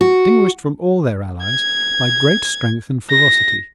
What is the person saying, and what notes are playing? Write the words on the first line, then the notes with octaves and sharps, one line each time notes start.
'Distinguished from all their allies by great strength and ferocity.'
F#4
G#6
A#6